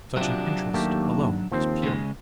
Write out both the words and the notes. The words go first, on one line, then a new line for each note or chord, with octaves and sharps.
Such an interest alone is pure.
C3 F3 F#3 D4
D#2 A3 A#3 G4
D#2 F3 C4 C5
C#3 G#3